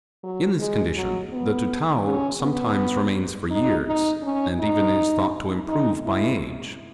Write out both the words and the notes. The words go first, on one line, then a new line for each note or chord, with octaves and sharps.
In this condition the Tutao sometimes remains for years, and even is thought to improve by age.
F#3
G#3
F#3
B3
C#4
B3
D#4
D#4
C#4
D#4
D#4
E4